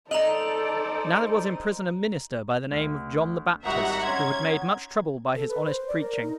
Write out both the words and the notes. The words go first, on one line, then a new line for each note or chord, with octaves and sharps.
Now there was in prison a minister by the name of John the Baptist, who had made much trouble by his honest preaching.
D#4 A4 C5 D5 D#5 A#5 F7 F#7
D2
G#1 G3 D#4 F#4 E5 F#5 A#5
C#4 A#5 C6 G#6
A4
B4
C5
D5
A#4
D#4